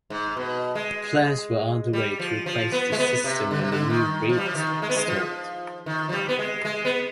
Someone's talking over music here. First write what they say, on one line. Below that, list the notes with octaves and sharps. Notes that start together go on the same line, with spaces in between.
Plans were underway to replace this system when the new radars were installed.
G#2
B2
G#3
G3
F3
F3
B3
G#3
B3
C3
D3
C3
D3
D#3
F3
G3
F3
D#3
G#3
B3
G#3
F3
D#3
F3
G3
B3
G#3
G#3
B3